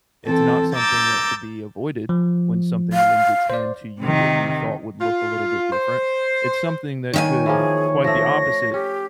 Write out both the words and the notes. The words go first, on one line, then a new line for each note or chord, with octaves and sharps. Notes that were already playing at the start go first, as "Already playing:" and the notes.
It's not something that should be avoided when something lends its hand to you that you thought would look a little bit different. It's something that should, quite the opposite,
E3 C4 A4
A#5 D6 E6 G6 A6
F3
F5
C5 D5
C3 D#3
F4
C5
D#3 C#5 E5 G#5
E3 F3 A#3 G#4
F3 A3 A#6
C#4 G4